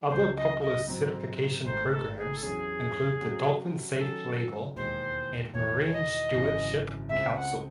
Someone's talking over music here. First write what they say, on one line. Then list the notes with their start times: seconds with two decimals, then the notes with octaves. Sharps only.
Other popular certification programs include the dolphin safe label and Marine Stewardship Council.
0.09 C#2 C#3 F#3 C5
0.36 D#5
0.62 D#5
0.87 G#2 F#3 C4
1.65 G#1 G#2 D#3 A3 C5
1.91 A4
2.17 G#4
2.36 A4
2.42 E2 C3 F#3 C#4 G#4
3.21 C3 F#3 C#4 F#4
3.98 D#3 F#3 C#4 F#4 A4
4.76 E1 D#2 D#3 G#3 C5
5.53 E1 E2 D#3 C#5
5.84 C#5
5.92 D#5
6.31 G#1 F#2 C#3 E3
7.09 C#2 C#3 G#3 C4 E5
7.35 F#5